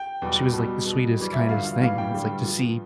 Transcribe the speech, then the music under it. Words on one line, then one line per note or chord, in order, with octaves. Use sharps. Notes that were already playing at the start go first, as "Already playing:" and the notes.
she was, like, "the sweetest, kindest thing," and it's like, to see,
Already playing: G5
E2 B2 G3
B2 G3
B2 G3
G2 E3 G3
E5
G2 D3 F3 F5
F5
A2 E3 G3 F5
G5
G2 D3 G3
G2 F3